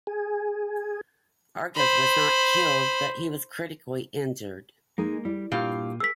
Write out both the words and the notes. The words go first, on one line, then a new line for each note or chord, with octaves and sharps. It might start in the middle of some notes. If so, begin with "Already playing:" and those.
Argov was not killed, but he was critically injured.
G#4
C5 B5
G#3 A#3 D#4 G#4
G3 E4 D5
G2 A#2 A#3 F4 G4 F5
G#4 A#4 E6 B6